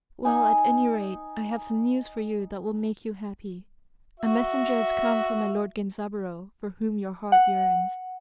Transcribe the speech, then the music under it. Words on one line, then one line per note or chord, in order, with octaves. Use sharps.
"Well, at any rate, I have some news for you that will make you happy. A messenger has come from my lord Genzaburo, for whom your heart yearns."
D#4 G#5
F#4 E5
F#5